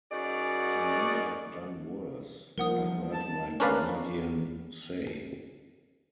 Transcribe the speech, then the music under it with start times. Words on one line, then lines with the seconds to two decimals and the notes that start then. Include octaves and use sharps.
"He might have done worse," I heard my guardian say.
0.12 F#2 D#4 F#4 G#4 D5
2.58 F3 G3 A#3 D#4 A#4 F#5 D#6
3.13 D#4 A5
3.60 C#4 D4 A#4 B4 D5 F5